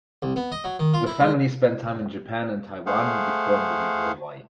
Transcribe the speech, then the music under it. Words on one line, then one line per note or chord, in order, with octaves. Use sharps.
The family spent time in Japan and Taiwan before moving to Hawaii.
C2
B3
D#5
F#3
D#3
F4
E4
G#3
A3 G#4 C5 F5 F#5